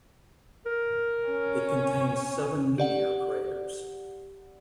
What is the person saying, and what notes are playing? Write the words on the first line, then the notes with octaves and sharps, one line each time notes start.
It contains seven meteor craters.
A#4
C#4
G4 D5 F#5